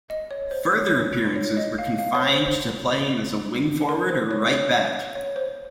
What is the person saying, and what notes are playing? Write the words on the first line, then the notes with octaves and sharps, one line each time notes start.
Further appearances were confined to playing as a wing-forward or right back.
D#5
C#5
C5
C#5
C#5
D#5
F5
F5
C#5
C5
C5
A#4
C5
C#5
C#5
C#5
C5